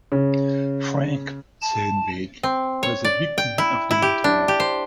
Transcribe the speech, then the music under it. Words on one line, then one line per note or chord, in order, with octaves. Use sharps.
"Frank", said Bate, was a victim of the Internet.
C#3
A5
C4
C#5
D5
G5
E4
E4
G4
D4
G4
C5